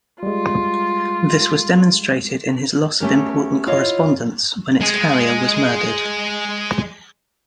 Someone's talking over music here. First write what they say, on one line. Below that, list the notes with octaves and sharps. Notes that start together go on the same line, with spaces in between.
This was demonstrated in his loss of important correspondence when its carrier was murdered.
G3 G#3 F4
A3 B3 C#4 G4 A#4
E4 F4 C#5 D#5
G#3 G#4